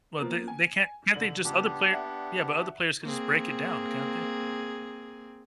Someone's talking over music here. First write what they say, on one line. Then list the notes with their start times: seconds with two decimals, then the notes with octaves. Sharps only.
Well, they they can't can't they just other player yeah, but other players can just break it down, can't they?
0.19 F3 A#3 B3
0.48 G#5
1.14 F1 D3 D5 F#7
1.44 C#2 B3 D4 G4
1.90 D5 E5 F#5
3.03 A#3 C4 G#4